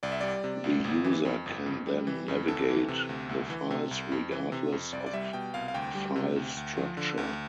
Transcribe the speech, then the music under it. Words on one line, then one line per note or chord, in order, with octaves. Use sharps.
The user can then navigate the files regardless of file structure.
C2 D5
E5
G3 D5
C3
C2
G1
E3
F2
G1
F2
G3
E3
F2
D2 A4
E3
C3
D2
C2
E3
C3
C2
F2
E3
C3
F2
C2 D5
D5
G3 E5
B2 G5
C2 F5
F5
D2 G5
G3
C3
D2
D2
F3
D3
D2